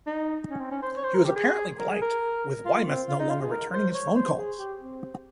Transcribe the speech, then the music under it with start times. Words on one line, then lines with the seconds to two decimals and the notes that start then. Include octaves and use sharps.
He was apparently blanked, with Weymouth no longer returning his phone calls.
0.07 D#4
0.50 C#4
0.60 C4
0.71 C#4
0.82 C5
0.97 C#5
1.04 C5
1.15 A#4
1.25 G4
1.36 G#4
1.79 A#4
1.90 G#4
2.01 A#4
2.65 F4
2.87 C4
3.08 F4
3.20 D#4
3.30 F4
3.41 G#4
3.52 A#4
3.73 C5
3.94 C#5
4.16 C5
4.38 G#4
4.59 G4
4.81 C4